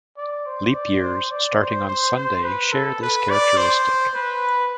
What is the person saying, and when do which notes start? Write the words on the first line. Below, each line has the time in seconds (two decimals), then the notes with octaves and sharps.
Leap years starting on Sunday share this characteristic.
0.17 D5
0.46 C5
0.74 D5
1.02 C5
1.31 D5
1.59 C5
1.87 C5
2.16 C5
2.44 B4
2.72 A4
3.02 B4
3.30 D5
3.57 C5
4.14 B4